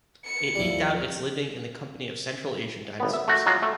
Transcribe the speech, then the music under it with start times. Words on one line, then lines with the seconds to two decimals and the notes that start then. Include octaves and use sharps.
It eked out its living in the company of Central Asian dinosaurs.
0.24 C#7
0.55 D#2 F3 G3 E4
3.00 G#1 B3
3.14 E5
3.28 A3 F#4
3.46 F#3 G#3 F4 F#4
3.62 A3